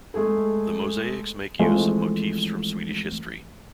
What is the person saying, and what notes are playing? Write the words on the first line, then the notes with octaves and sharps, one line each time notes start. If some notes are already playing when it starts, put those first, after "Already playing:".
The mosaics make use of motifs from Swedish history.
G#3 A3 G#4 A4
E3 F3 G#3 A3 C4